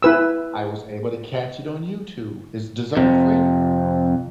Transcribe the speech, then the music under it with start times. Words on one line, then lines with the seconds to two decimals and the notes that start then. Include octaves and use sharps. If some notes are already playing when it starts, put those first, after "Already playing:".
I was able to catch it on YouTube. Is DAZN free?
0.03 E4 B4 E6
2.97 F2 C3